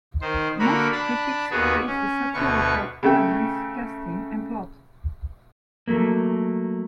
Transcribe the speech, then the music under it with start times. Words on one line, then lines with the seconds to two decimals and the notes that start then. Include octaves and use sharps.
Most critics praise the satirical elements, casting, and plot.
0.21 D#3 C5
0.59 D3 A#3 F#4 A#4 B5
0.92 D4 A5 B5
1.51 D#2 B3 F#4 G#4 B4
1.87 C#4
2.34 D2 B2 B4 C#6
3.03 C#3 A3 G5
5.88 F#3 A3 A#3